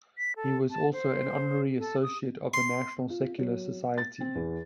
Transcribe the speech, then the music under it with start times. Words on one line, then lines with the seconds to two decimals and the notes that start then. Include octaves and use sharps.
He was also an honorary associate of the National Secular Society.
0.18 B6
0.36 A4
0.71 A5
0.93 C5
1.79 A4
2.02 D#6
2.54 C6
3.10 F4
3.38 F#3
3.98 A6
4.20 C4
4.35 E2